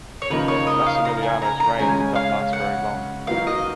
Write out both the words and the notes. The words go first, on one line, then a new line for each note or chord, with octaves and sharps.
Massimiliano's reign did not last very long.
C#5
C#3 F3 A#3 D#4 A#4 B4
C#5
D#5
F5
A#5
G#5
A#5
A#5
C#3 G#3 C#4 G#5
F5
F#5
F#3 A#3 D#4 F#4 B4 F5
D#5